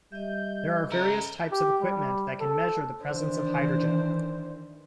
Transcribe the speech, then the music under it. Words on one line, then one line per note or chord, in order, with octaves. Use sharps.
There are various types of equipment that can measure the presence of hydrogen.
G3 D#5 E5 G6
C#3 A4 A#5
G4
G3
A4
D#3 E3 D4 C5